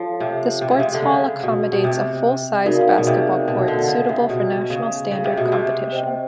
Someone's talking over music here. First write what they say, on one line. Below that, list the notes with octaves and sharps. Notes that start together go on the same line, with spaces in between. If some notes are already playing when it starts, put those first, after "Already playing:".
The sportshall accommodates a full-sized basketball court suitable for national standard competition.
Already playing: F3 F4 A4 C#5
C3
C3
C#3
C3
D3
C#3
B2
B2
C3
C#3 D#4 F#4 A#4 D5 F5
B2
C3
B2
D3
C#3
C3
B2
C#3
C#3
C3
B2
C3
C5 D#5 G5